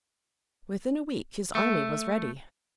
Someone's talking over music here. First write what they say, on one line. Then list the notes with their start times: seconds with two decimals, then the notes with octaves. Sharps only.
Within a week, his army was ready.
1.55 A3